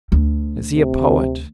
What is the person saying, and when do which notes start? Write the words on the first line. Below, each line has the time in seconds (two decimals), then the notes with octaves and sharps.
Is he a poet?
0.12 D2
0.75 C3